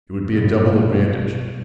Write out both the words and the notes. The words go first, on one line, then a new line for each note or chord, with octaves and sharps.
It would be a double advantage.
G2 B2